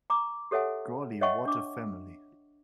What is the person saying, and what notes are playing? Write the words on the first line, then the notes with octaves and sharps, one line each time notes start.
Golly, what a family!
A#5 D6
G4 A4 C#5 E5 F#5 G#5
C#5 D#5 E5 F#5 G5 C#6
D4 D6